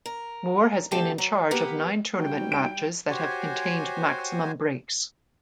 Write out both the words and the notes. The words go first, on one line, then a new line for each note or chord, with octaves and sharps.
Moore has been in charge of nine tournament matches that have contained maximum breaks.
A#4
D2 C4 G4 A4 A5
F#3
A#3 B3 G4 B4
G3 D#4 F#4 G5
D7
F#4 G4 C5 C#5 G#5